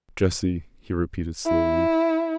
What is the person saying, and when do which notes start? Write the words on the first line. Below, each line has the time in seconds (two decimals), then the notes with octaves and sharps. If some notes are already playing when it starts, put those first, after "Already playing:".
"JESSIE," he repeated slowly.
1.46 E4